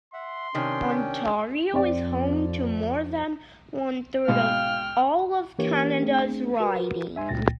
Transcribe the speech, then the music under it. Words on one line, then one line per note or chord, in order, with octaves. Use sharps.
Ontario is home to more than one third of all of Canada's ridings.
E5 F#5 C6
C3 D#3 C#4 D4 G5
F2 C4 D5
G#2 B2 G#3 F5 G5 F6
E3 A#3 D4 G4 A#4 C#5
A3 C4 D4 G#4
F#4 A#4 B4
E5 G#5 C6
C#2 A#2 G5 A6 A#6